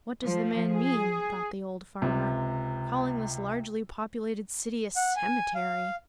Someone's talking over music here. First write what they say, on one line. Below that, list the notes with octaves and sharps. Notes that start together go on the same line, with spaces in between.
"What does the man mean," thought the old farmer, "calling this largely populated city a cemetery?"
F3
G#4
C#2 C3
F#5
G#5
F5